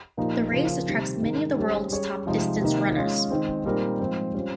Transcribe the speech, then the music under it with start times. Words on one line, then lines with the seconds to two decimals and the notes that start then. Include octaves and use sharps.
The race attracts many of the world's top distance runners.
0.17 A#2 F3 A#3 D#4 G4
0.52 C#3 F3 A#3
0.87 C3 D#3 G3 C4 G4
1.22 G#2 D#3 G#3 D#4 A#4
1.57 G3 C#4 G4 C5
1.91 G3 C#4 G#4 C#5
2.26 C3 F3 G#3 D#4
2.61 C3 D#3 A#3 D#4
2.96 G#3 C#4 F4
3.30 D#3 G#3 C4
3.65 A#2 G3 C4 D#4 A#4
4.00 G#2 F3 C4
4.34 G3 C#4 F4 C5